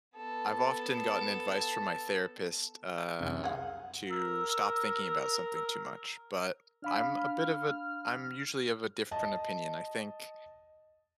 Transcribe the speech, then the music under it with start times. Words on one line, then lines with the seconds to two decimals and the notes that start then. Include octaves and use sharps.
I've often gotten advice from my therapist, uh, to stop thinking about something too much, but I'm a bit of a I'm usually of a different opinion. I think
0.16 B3 A4
3.19 C2 F#2 C3
3.44 G#4 F5 F#5
4.10 A#4 E6
6.82 D4 F5 B5 F6
9.11 D#5 A5